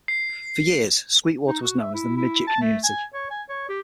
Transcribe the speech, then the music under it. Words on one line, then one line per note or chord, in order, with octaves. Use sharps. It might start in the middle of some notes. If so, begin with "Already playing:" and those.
For years, Sweetwater was known as the "midget" community.
C7
D#4
F#4
E5
E4
E4
A5
A3
G#5
C#5
G#5
C#5
G4